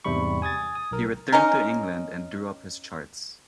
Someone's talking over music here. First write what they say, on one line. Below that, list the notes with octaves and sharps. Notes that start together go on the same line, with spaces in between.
He returned to England and drew up his charts.
E2 G#2 C3 G3 B5 C#6
G#5 D#6 G#6 A6
D#6
B1 A#4
C#4 D#4 A#4